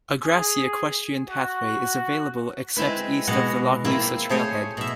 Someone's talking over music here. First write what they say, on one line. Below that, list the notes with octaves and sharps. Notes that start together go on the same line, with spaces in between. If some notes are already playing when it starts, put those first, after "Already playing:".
A grassy equestrian pathway is available except east of the Lochloosa trailhead.
G#4
F#4
G#3 C4 E4 B4
B2 G#3 F#5
A#3 C4 E4
A3 G#4 C5 C#5
B2 E5